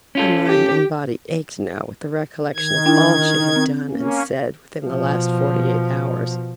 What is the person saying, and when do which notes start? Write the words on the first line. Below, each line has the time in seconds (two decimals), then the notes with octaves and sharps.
Her mind and body ached now with the recollection of all she had done and said within the last forty-eight hours.
0.15 C#4 F4 A4
0.46 G4
2.55 D#3 G#6
2.86 D4 E4 G5
3.56 C4
3.90 A#3 C#4
4.85 B2 F3